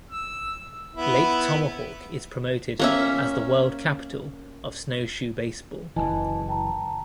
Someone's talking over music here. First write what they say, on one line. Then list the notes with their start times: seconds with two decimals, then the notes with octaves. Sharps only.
Lake Tomahawk is promoted as the "World Capital of Snowshoe Baseball".
0.11 E6
0.96 B3 E4
2.79 A#3 C#4 E5
5.96 F#1 B1 E3 D#5 G#5 A5
6.49 G5 A5 A#5